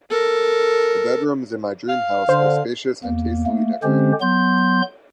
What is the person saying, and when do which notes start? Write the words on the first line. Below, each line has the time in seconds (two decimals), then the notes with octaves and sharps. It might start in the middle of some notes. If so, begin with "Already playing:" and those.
The bedrooms in my dream house are spacious and tastefully decorated.
0.11 A4 A#4
1.89 F5
2.29 D3 C5
3.04 E2 A#3
3.46 A3 A#3
3.83 D3 G#3 C4 C#4 G4 C5
4.21 F#3 B3 C6 G6